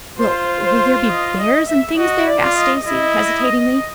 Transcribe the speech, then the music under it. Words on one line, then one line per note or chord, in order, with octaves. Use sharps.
"Will--will there be bears and things there?" asked Stacy, hesitatingly.
F4 C5
C5
D#5
D#5
E5
F#4 D#5
D5
F4
D#5
E4 D#5